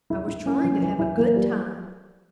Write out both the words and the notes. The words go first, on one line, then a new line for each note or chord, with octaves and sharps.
I was trying to have a good time.
E4
E4
C#4
E3
E3
E4
A#3
G3